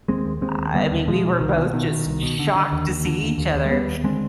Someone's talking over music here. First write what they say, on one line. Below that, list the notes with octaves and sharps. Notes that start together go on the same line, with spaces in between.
I mean, we were both just shocked to see each other,
D#2 G#3 C4
D#2
D#2 G#3 C4
D#2
D3 G3 B3
D#2
B2 F3 G#3
B2
C2 D#3
B2
B2 D#3
B2
C2
B2
D3
D3
D#2
D#2
D3
D#2
D#2
D#2
G#3
D#2 G3 B3
D#2
D3 G#3 C4